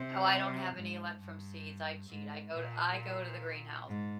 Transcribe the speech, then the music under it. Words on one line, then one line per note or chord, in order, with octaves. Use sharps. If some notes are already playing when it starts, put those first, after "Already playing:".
Oh, I don't have any luck from seeds, I cheat, I go I go to the greenhouse.
Already playing: C3
G#2
G2
G#2
A#2
G#2